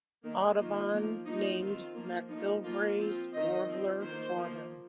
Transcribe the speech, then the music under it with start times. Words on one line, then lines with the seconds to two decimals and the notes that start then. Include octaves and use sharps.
Audubon named MacGillivray's warbler for him.
0.23 D#3 A#3
0.58 D#3 A#3 F4
0.92 F3 A#3
1.26 F3 A#3 D#4
1.60 D#3 C4 F4
1.95 F3 A#3
2.29 F3 A#3 D#4
2.64 F3 A#3 F4
2.98 F3 C4 F4
3.32 D#3 C4 D#5
3.67 F3 C4
4.02 D#3 A#3 C5
4.36 F3 A#3